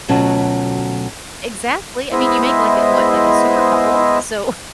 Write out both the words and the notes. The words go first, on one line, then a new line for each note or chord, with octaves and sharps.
Exactly. I mean, you make, like, a what? Like a super couple. So
D2 B2 F#3 C#4 F4 A5
G#3 B3 E4 C5 D#5 E5